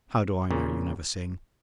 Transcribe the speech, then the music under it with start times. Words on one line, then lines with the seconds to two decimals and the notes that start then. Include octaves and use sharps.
How do I know you never sing?
0.51 A#2 C#3